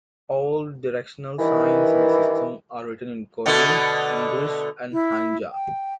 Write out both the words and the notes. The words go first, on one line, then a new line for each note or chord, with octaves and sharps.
All directional signs in the system are written in Korean, English and Hanja.
G2 D#3 E3
B2 D3 A3
E4
G5